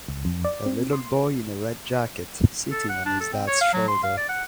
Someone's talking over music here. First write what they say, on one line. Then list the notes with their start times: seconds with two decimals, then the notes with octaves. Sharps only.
A little boy in a red jacket sitting on his dads shoulder.
0.08 C#2
0.25 F2
0.45 D5
0.66 C4
0.93 C6
2.71 A4
2.89 F#5
3.05 D4
3.20 A4
3.33 C4
3.47 C#5
3.61 F5
3.73 F#3
3.88 C6
4.03 F5
4.17 D5
4.29 F#5